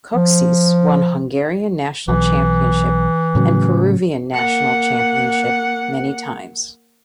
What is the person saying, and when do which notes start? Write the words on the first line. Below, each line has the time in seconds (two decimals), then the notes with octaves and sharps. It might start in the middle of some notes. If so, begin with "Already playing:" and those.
Kocsis won Hungarian national championship and Peruvian national championship many times.
0.15 F3
2.08 B1 E3
3.35 A2 C#3 F#3
4.34 A#3 F#5